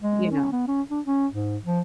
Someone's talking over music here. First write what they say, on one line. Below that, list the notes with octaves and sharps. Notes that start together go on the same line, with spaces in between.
you know,
G#3
C#4
B3
C#4
D4
C#4
G#2
F3